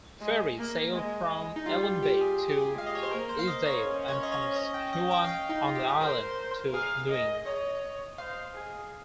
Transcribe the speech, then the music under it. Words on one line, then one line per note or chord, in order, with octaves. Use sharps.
Ferries sail from Ellenabeich to Easdale, and from Cuan on the island to Luing.
G#3
A#3
G#3
D#4
G3 F4
F4
G4
G#4
G#4
G4
G#4
G#3 F5
D#5
C#5
C5
A#3 A#4
C5
F5
D#5
C#5
C#4
C#5
D#5
C#5
C#5
D#5
G5
D#5
G5
F5
G5
D#4
F4
G4
G#4
A#4 C5
A#4
G#4 F5
D#5
C#5 D#5
C5 F5
G#4